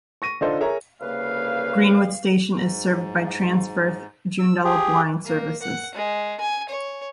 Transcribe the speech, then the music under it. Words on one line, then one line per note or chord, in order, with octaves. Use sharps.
Greenwood station is served by Transperth Joondalup line services.
C#6 A#6 D#7
D3 D4 D#4 F4 A4 C5
G#4 A#4 C#5 E5 A#5
C2 C#3 A#3 B4 F5
G#2
E6
G4 G#4
A#3
F#5
G#3
G#5
C#5